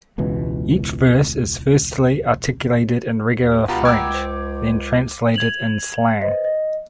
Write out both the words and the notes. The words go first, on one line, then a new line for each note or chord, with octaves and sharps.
Each verse is firstly articulated in regular French, then translated in slang.
E1 C#2 B2 E3
D#2
C#2 B2 F4 G4 F#5 A#5 B5
G5 D6 E6 G#6
C5
G#6 F7 F#7
B4 C5 D#5
D#5